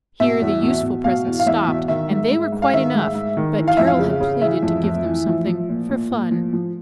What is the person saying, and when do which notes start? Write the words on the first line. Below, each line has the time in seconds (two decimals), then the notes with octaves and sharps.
Here the useful presents stopped, and they were quite enough; but Carol had pleaded to give them something "for fun."
0.20 B2 E5
0.41 E2
0.62 B2
0.83 B2
1.04 B2 F5
1.26 E2
1.40 F5
1.46 E2 E5
1.67 B2
1.88 D#3 E5
2.10 G#2
2.31 G#2
2.52 G#2
2.62 F5
2.73 D#3 E5
2.95 G#2
3.15 G#2
3.37 D#3
3.58 E3
3.68 F5
3.77 F2 E5
3.87 F5
3.99 C#3
4.20 C#3
4.42 E3 E5
4.63 F2
4.83 F2
5.04 E3
5.27 F3
5.47 F3
5.69 A#2
5.89 A#2
6.11 A#2
6.31 F3
6.53 F3